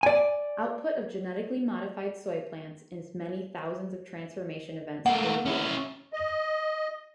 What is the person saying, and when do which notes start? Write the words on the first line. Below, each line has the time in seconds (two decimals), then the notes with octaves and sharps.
Output of genetically modified soy plants is many thousands of transformation events per year.
0.03 D5 G#5
5.06 A3 A#3 F#5
5.45 C#4 E4
6.13 D#5